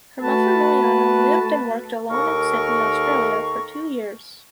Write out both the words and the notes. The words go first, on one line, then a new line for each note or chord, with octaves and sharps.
Her mother Miliana lived and worked alone in Sydney, Australia for two years.
A3 F#4 B4 A5
D#2 A4 A#4 F5 C#6